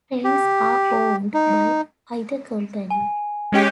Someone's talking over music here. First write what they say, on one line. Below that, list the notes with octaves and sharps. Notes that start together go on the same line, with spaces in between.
Trains are owned by either company.
G4
D#4
G#5
G#3 C#4 G4